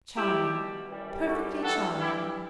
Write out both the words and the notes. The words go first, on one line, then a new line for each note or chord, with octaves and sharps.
Charming; perfectly charming.
B2 G3 E4 G4
F#2 E3 G3
F#4 A4
G2 E3 G3 F#4 A4
E4 G4